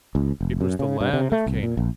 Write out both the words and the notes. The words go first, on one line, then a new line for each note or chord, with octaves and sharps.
It was the land of Canaan.
C#2
F1
F#2
C#3
G2
C3
A3
C2
A#2
A#1